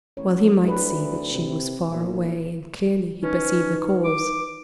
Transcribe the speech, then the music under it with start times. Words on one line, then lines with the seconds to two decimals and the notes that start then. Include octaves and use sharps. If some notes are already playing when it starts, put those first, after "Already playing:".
Well he might see that she was far away, and clearly he perceived the cause.
0.17 A1 C#5
0.64 D2 E4 B4
1.31 C3
1.91 B1 A#2
3.23 C#4 D#4 B4
4.04 D6